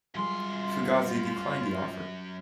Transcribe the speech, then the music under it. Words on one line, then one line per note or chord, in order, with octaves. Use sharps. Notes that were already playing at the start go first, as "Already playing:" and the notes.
Fugazi declined the offer.
F#2 G3 G#3 F4 C6